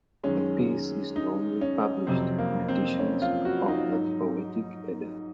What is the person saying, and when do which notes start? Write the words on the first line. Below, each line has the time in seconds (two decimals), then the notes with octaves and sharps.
The piece is normally published in editions of the "Poetic Edda".
0.24 F#2 D#3 G#3 C#4
1.16 D#4
1.61 C#4
2.07 F2 C3 F#3 C4
2.38 A#3
2.68 C4
2.99 C#4
3.22 F4
3.45 F#4
3.68 D#4
3.91 G#2 F#3